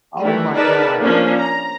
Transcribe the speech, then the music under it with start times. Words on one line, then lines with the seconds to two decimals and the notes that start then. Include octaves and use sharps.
Oh my god.
0.22 D#3 E3 A3
0.56 D#4 G#4 A#4 B4 D5 A5
1.01 F3 A#3 C#4 D4
1.38 A#5